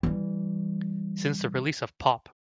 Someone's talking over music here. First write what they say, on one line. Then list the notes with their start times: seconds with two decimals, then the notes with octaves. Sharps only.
Since the release of Pop!
0.03 E3 G3